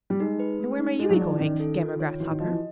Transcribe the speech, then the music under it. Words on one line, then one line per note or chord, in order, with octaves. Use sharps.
'And where may you be going, Gammer Grasshopper?'
G3
G#3 D#4
B4
A3
D#4
G#3 G#4
F#3
F3 D5
E3
D#3 C#4
A4
F4
C#5
E3 F#4
D#3
F3 D#5
E3